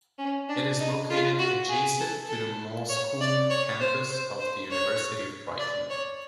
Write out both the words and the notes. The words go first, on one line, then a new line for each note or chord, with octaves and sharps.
It is located adjacent to the Moulsecoomb campus of the University of Brighton.
C#4
D4
D#4
F4
F#4
G#4
A4
A4
C#5
D5
C#5
C5
C5
C5
C#5
D5
C#5